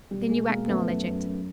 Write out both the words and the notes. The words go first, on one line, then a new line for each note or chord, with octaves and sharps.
"Then you acknowledge it?"
B2 G3
B2 G#3
B2 G#3 A#3
F#2 A3 B3
F#2
F#2
F#2